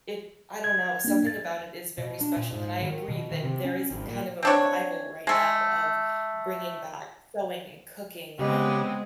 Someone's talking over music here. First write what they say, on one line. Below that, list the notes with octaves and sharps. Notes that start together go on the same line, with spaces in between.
It I don't know, something about it is very special, and I agree that there is kind of a revival right now of bringing back sewing and cooking and
G#6
A#3 D4
A6
B2
D4
A#2
G#2
D#3
B2
D#3
C3
C#4
G#1
A#2
C4 D4 C#5
G#3 A3
C#3 G#3 B3 C4 G4